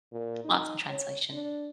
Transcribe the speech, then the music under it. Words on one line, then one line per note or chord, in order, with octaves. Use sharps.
lots of translation.
A#2
D#4
C#5
D4